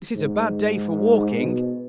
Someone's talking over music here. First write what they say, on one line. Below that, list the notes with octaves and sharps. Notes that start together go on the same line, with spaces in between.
'This is a bad day for walking!
G#2
B2